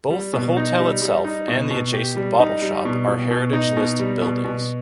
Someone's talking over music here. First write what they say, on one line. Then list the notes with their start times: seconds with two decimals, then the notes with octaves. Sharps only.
Both the hotel itself and the adjacent bottle shop are heritage listed buildings.
0.10 G3
0.34 B2
0.57 D#4
0.79 G3
1.02 G3
1.25 D#4
1.48 B2
1.70 B2
1.93 G4
2.17 G3
2.39 D#4
2.62 G3
2.85 B2
3.08 B2
3.31 B2
3.53 D#4
3.77 B2
4.00 G3
4.22 B2
4.44 B2